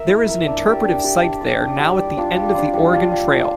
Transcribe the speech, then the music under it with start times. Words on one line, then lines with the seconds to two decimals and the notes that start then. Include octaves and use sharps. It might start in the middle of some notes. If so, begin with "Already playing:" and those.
There is an interpretive site there now at The End of The Oregon Trail.
Already playing: A#4 E5
0.09 E4
0.28 A#4 E5
0.46 D4
0.66 G4 D5
0.84 D4
1.04 G4 D5
1.22 D4
1.41 G4 D5
1.61 D4
1.79 G4 D5
1.98 G3
2.17 D4 F4
2.37 G3
2.54 D4 F4
2.73 G3
2.93 D4 F4
3.12 G3
3.30 D4 F4